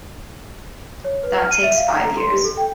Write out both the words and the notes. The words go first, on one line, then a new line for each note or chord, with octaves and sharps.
That takes five years.
C#5
B4
F6
D#7
E5
F5
A#5
A4
C6
G4
A4
G5